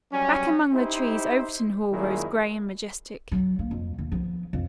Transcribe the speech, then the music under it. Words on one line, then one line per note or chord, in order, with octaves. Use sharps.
Back among the trees Overton Hall rose gray and majestic.
F#3 G3 C#4
D#4 E4 G4 C5
F#2 A#2 D#3 G#3 E4
F#3
A#3
F2
D#2
F3 B3
F2